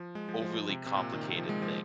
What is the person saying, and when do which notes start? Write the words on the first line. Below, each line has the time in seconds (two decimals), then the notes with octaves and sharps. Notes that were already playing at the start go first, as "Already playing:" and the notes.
overly complicated thing.
Already playing: F3
0.15 G#3
0.29 F3
0.42 F3
0.69 C3
0.86 C3
0.96 A#2
1.13 D#3
1.22 C3
1.35 F3
1.49 G#3
1.62 F3